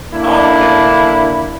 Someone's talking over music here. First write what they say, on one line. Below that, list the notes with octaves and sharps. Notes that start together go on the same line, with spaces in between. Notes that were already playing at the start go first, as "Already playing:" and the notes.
Oh, okay.
D3 A#3 D4 E4